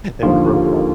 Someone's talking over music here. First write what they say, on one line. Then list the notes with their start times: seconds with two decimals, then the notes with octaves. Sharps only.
in growing up.
0.22 D#2 D3 F3 F4
0.45 G4
0.56 A#4
0.66 A4